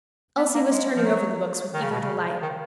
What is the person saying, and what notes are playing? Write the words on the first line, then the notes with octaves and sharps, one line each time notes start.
Elsie was turning over the books with eager delight.
B3
A#3
G#3
F3
F#3
D#3
C#3
B2
C#3
D#3